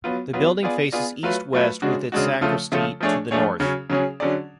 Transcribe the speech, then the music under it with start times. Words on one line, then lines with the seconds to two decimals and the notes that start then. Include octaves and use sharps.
The building faces east–west with its sacristy to the north.
0.04 F#3 B3 F4
0.33 F#3 B3 F4
0.63 B3 F4 G#4 D5
0.92 B3 F4 G#4 D5
1.23 F#3 A3 F4 B4
1.53 F#3 A3 F4 B4
1.82 C#3 G#3 D4 F#4
2.12 C#3 G#3 D4 F#4
2.41 C#3 F3 A3 F4 A4
2.72 C#3 F3 A3 F4 A4
3.01 F3 A3 D4 G#4 C#5
3.31 F3 A3 D4 G#4 C#5
3.60 C#3 F#3 C#4 G#4
3.90 C#3 F#3 C#4 G#4
4.20 D3 F#3 C#4 G#4 D5